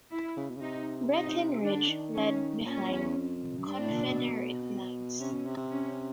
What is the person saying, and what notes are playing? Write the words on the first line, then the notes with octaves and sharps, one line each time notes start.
Breckinridge fled behind Confederate lines.
E4
C#3
B2
C#3
C3 D#4
D#4
D#3 D4
D3
D#3
C#4
A#2 C#4
E2
F2
F#2
G2 D4
A2
A#2
B2
C3 C#4
B2
C3
C3
C#4